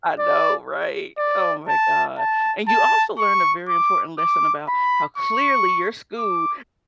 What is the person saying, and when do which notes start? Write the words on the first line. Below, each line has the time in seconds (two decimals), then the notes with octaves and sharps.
I know, right? Oh my god. And you also learned a very important lesson about how clearly your school
0.19 D5
1.19 D5
1.69 A5
2.19 A5
2.68 A5
3.19 C#6
3.69 D6
4.19 D6
4.69 B5
5.18 C#6
6.18 D6